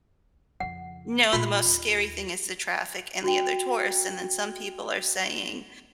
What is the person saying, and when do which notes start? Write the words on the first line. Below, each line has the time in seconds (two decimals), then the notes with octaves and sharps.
"No, the most scary thing is the traffic and the other tourists," and then some people are saying,
0.60 F2 C#3 F#5
1.33 A#2 A3 F4 B5 C6
1.65 D#2
3.24 F#4 G5